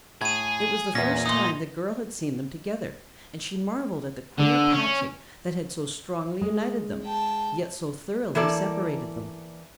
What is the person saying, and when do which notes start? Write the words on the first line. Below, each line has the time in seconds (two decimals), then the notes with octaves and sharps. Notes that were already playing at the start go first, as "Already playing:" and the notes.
It was the first time the girl had seen them together and she marveled at the queer patching that had so strongly united them, yet so thoroughly separated them.
0.21 A2 G#4 G#6 D#7
0.95 E2 A#2 C#4 A#6
1.26 D#4 C6 D#6
4.38 D3
4.72 C#4
6.41 G#3
7.04 G5 A5
8.35 E3 A#3 A4 D5